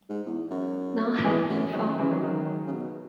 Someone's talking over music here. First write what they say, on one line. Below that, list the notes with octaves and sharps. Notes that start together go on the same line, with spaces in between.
None had been found.
G#2
E2
F#2
E2 E3 G#3
F#2
G#2 D#3 F#3
F#2
G#2 C#3 E3
D#3 F#3
D#3 F#3
C#3
B2